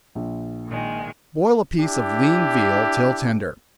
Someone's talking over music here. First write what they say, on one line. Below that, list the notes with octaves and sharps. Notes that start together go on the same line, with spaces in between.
Boil a piece of lean veal till tender.
A#1
A#2 D#3 G#3
D4 E4 G4